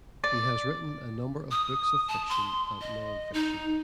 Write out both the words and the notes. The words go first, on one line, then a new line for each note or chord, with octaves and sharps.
He has written a number of books of fiction and non-fiction.
D5
D#6
A5
C6
D#5
D#4